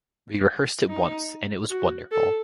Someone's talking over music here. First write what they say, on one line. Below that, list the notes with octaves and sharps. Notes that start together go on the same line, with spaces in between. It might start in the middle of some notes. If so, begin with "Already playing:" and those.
We rehearsed it once and it was wonderful.
D#4
F#4
A4